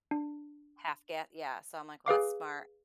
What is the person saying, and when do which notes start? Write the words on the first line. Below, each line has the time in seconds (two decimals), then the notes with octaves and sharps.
half ga Yeah, so I'm like, "Well, that's smart.
0.11 D4
2.06 G#4 B4 F5 D6